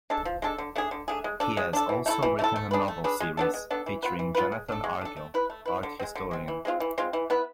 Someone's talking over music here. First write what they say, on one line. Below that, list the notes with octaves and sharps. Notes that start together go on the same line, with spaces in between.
He has also written a novel series featuring Jonathan Argyll, art historian.
G#3 D4 A4
F3
G#3 D4 A4
D3
A3 D4 G#4
D3
A3 D4 G#4
G#3
D4 A4
G#3
D4 A4
E3
A3 E4 A4
E3
A3
E4 A4
A3
D4 G#4 B4
A3
D4 G#4 B4
G#3
B3 D4 A4
G#3
B3 D4 A4
E3
B3 F4 B4
E3
B3 F4 B4
G#3
D4 A4
G#3
D4 A4
A3
E4 B4
A3
E4 B4
D3
C4
G#3
D3
G#3 C4
E3
G#3 C4 F4
E3
G#3 C4 F4
E3
B3 E4 B4